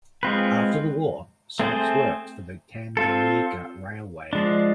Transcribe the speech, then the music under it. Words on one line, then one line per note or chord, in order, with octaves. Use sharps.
After the war, Sykes worked for the Tanganyika Railway.
G#3 C4 F4 B4
A3 C4 G#4 C5
C4 F4 A4
F3 G#3 D4